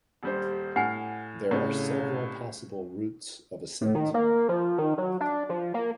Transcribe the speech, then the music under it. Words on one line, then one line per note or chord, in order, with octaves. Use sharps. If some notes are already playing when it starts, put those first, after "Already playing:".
There are several possible routes of ascent.
D#1 G3 C5
A2 F#5 G#5 F6
C2 A2 C#3
A2
D#3
A#3
F3
D#3
F#3
D4
F3
A#3